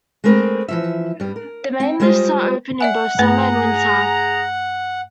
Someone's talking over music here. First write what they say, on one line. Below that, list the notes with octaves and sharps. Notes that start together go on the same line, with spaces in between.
The main lifts are open in both summer and winter.
G#3 A3 C4 A#4 B4
E3 F3 E5
G2 G3
A#4
C4 G5
G3 G#3 F4 C5 D5 D#5
D5 E5 F#5 G#5
G2 A3 G#4 B4 A#5